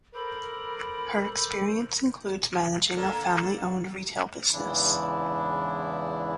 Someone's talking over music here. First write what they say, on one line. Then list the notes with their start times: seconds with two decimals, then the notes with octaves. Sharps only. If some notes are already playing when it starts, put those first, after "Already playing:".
Her experience includes managing a family-owned retail business.
0.14 A4 A#4 C5 B5 D6
2.96 D3 A#3 A4
4.52 E2 G#2 C#3 E3 D4 E4